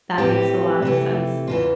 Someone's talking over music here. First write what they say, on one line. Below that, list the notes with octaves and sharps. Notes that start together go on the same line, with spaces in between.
That makes a lot of sense.
A2 E3 A3 C4 G4
C3 E3 A3
E2 C#3 E3 F4